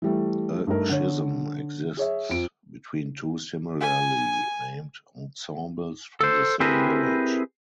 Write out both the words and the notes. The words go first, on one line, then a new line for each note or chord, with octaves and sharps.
A schism exists between two similarly-named ensembles from the same village.
E3 G3 A3
G2 A3 D#4 A#4
D3 C#5
G#4 C#5 E5
F2 D7
G#5
A4 C5
C4 E4 G4 G#4 A#4 B4